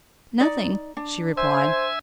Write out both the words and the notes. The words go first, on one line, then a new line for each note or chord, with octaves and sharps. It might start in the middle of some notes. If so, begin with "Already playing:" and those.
"Nothing," she replied.
D#4 D5
D4
C5 E5 G#5